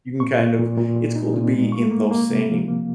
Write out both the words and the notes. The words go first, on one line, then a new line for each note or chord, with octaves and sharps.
you can, kind of it's cool to be in those same
A#2 C#6
A#2
A#2
A#2
A#2
D#4
A#2
G#3
A#3 C#6
A#3
A#3
C3
F3
A#3